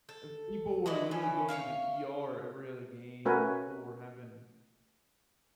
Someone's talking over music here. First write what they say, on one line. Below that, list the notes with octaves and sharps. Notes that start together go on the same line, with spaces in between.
and people were literally going to the ER every other game, people were having
A4
E4 F#4 D5 D#5
E3 A3 C#4
C#5 D5 E5 F5
A3 C#4 F#4 A#4 B4 G#5